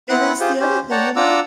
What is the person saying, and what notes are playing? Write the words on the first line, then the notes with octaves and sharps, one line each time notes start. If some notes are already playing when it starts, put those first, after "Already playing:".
And that's the other thing, you know?
B3 C4 E4 B4 F#5 F#6
F4 G4 G#4 C5
C#4 G4 C5
C#5 D5 F#5 G5 A5 A#5
D4 F4 F#5 A#5 D6 E6